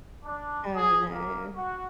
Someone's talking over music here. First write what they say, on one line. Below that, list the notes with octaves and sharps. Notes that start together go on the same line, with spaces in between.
Oh, no.
D4
G#4
A#3
F#4